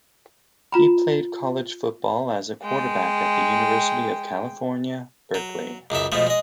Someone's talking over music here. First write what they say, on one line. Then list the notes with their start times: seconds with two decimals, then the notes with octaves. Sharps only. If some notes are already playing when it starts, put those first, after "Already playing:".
He played college football as a quarterback at the University of California, Berkeley.
0.72 F4 A#5 B5
2.63 G#3 G5
5.34 F#3
5.90 C#2 F#2 C#3 E5
6.12 B2 F3 G#3 A3
6.27 G#3 D#5